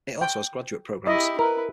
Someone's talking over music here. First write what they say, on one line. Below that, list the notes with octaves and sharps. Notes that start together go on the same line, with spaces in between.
It also has graduate programs.
G5
E4 G4 D#5
E4 A#4 B4